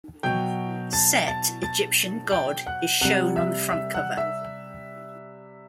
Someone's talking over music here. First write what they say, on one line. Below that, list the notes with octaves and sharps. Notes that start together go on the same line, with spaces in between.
Set, Egyptian god, is shown on the front cover.
B2 F#3 G5 G6
A5 A6
A5 A6
A5 A6
G5 G6
F#5 F#6
C3 G3 F#5 F#6
E5 E6
E5 E6
F#5 F#6
E5 E6